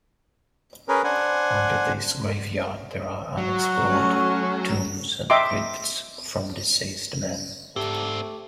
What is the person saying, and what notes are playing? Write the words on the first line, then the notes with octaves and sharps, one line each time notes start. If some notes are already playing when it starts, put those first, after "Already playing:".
Under this graveyard there are unexplored tombs and crypts from deceased men.
C#4 G#4 A#4 B4
D4 C5 F#5 G#5
F#3 F#4
A3 C#4
D#5 E5 G5 A#5 C6 D6
G#2 A3 C4 D4 G4